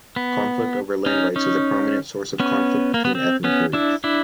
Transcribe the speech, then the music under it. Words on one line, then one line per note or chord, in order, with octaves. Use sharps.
Conflict over land rights is a prominent source of conflict between ethnic groups.
B3
C#4 D#4
C#4 D#4
B3 C#4
A#3
B3
C4
B3 C#4
D4 E4
D4 E4